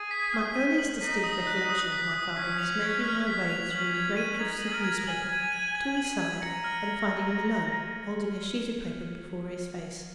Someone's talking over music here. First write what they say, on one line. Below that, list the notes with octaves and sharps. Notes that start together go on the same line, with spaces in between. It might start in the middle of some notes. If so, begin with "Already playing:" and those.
My earliest distinct recollection of my father is making my way through great drifts of newspapers to his side and finding him alone, holding a sheet of paper before his face.
Already playing: G#4
B6
F6
D#7
F#7
D#4 B6
D#6
F#6
D#6
B6
D#6
C#4 B6
F7
G#6
F6
B6
F7
C#4 F#7
G#6
D#7
C#4
D#4 G#6
G#4 F#7
A#4
G#6
A#4
G#5 F#7
G#6
D#7
G#6
F#7
G#6
A#5 C#7
F6